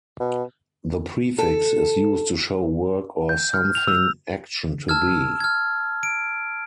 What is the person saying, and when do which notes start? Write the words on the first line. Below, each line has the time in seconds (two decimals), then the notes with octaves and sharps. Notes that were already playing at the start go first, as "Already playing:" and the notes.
The prefix is used to show work or something action to be.
0.20 B2
1.38 A4
3.29 G6
3.54 F6
3.75 F7
3.87 E6
4.89 A5 E6 F6 G#6
5.40 F6 G#6
6.03 D7